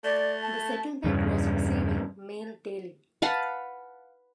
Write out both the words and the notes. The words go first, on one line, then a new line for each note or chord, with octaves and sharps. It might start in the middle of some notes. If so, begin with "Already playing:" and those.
The settlement was receiving mail daily.
A3 D5
A5
E2 G2 C#3
B4 F5 F#5 A5